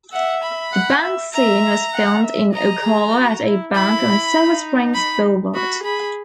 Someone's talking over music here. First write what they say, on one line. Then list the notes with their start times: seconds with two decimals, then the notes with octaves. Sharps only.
The bank scene was filmed in Ocala at a bank on Silver Springs Boulevard.
0.12 E5 F#5
0.42 B5
0.73 F#5
1.02 E5
1.33 E5 A#5
1.94 F#5
2.24 E5
2.53 D#5 A#5
2.83 G#4
3.14 F#4
3.43 E4
3.73 E4 B5
4.35 D#4
4.94 B5
5.55 F#4 B5
5.84 G#4 B5